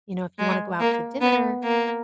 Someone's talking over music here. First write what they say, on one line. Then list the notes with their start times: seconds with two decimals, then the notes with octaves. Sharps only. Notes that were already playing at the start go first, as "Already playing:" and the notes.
"You know, if you wanna go out to dinner"
0.39 G#3
0.80 A#3
1.21 B3
1.64 A#3